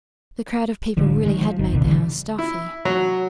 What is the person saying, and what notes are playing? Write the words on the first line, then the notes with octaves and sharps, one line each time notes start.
The crowd of people really had made the house stuffy.
A1 D3 F3 G#3
D#3 G#3
F3
G1 D#3
E1 C2 B2 D3
D3 E3 G3
E4
F#3